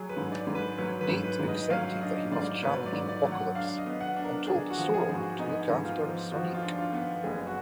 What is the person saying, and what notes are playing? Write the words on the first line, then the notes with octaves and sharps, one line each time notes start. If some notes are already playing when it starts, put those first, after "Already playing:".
Nate accepted that he must challenge Apocalypse, and told Soaron to look after Sonique.
Already playing: F#3 G#4
B4
G#2
D5
G#2
B4
F#3 B4
B4
G#2
B4
G#2
D#5
F#3 F5
D4 D#5
G#2 D5
F#3 B4
D5
G#2
D5
F#3
F#5
D4 F5
D#5
B3
F#5
D4
A#4
D4 G#4
F#4
F3
G#4
G#2
F#4
B3 D#4
G#2
F4
F3
F3 F#4
F4
D4
F4
B3
F#1 G#4
F#4